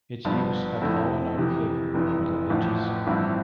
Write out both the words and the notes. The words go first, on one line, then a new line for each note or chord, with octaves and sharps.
Its use had fallen out of favour by the Middle Ages.
G1 G2 F3 B3
F2 D3 A3 C4 E4
F2 C3 E3
F1 F2 E3
A1 A2 F3
A1 G2 F3 C4 E4